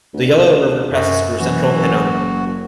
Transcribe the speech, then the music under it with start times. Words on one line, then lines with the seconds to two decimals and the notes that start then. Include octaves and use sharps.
The Yellow River passes through central Henan.
0.14 D2
0.92 F#2
1.39 F#1 E3 F#4
1.72 F#1